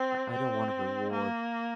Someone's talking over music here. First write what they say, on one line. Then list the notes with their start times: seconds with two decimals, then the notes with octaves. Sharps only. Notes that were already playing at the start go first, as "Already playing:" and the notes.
I don't want a reward...
Already playing: C4
0.31 C4
1.12 A#3